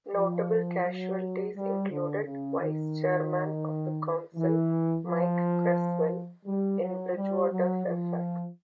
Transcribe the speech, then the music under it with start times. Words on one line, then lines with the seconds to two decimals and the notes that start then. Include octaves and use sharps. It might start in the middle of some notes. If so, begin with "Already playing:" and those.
Notable casualties included Vice-Chairman of the Council Mike Creswell, in Bridgwater Fairfax.
0.16 F3
0.86 F#3
1.56 G3
1.90 D3
2.25 C#3
2.61 D#3
4.35 E3
5.06 F3
6.46 G3
6.81 F#3
7.16 G3
7.51 F#3
7.86 F3